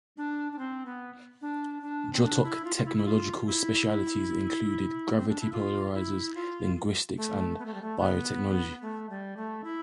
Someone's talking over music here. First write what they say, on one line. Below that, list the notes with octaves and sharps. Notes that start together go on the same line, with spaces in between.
Jotok technological specialties included gravity polarizers, linguistics and biotechnology.
D4
D4
C4
B3
D4
D4
C4
D4
E4
F4
F4
E4
E4
F4
E4
C4
D4
E4
F4
E4
F4
A3
B3
A3
G3
A3
B3
A3
G3
A3
E4